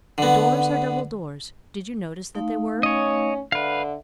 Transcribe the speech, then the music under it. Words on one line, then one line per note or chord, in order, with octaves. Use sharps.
"The doors are double doors; did you notice that they were?"
D3 B3
A3 D#4 F5
C#4 C#5 D#5
D3 B4 E5 F5